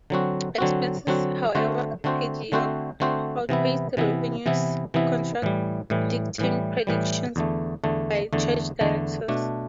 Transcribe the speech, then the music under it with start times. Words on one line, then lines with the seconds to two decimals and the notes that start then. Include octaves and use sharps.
Expenses, however, rapidly outpaced revenues, contradicting predictions by church directors.
0.10 D3 F#3 C4 F#4
0.58 D3 F#3 C4 F#4
1.07 D3 F#3 C4 F#4
1.55 D3 A3 C4 F#4 C5
2.04 D3 A3 C4 F#4 C5
2.52 D3 A3 C4 F#4 C5
3.00 D3 A3 C4 F#4 C5
3.49 C3 E3 B3 E4
3.97 C3 E3 B3 E4
4.46 C3 E3 B3 E4
4.94 C3 E3 B3 E4
5.42 A2 E3 G3
5.90 A2 E3 G3
6.38 A2 E3 G3
6.87 A2 E3 G3
7.36 E2 D3 A3
7.84 E2 D3 A3
8.33 E2 D3 A3
8.81 E2 D3 A3
9.28 B2 A3 D4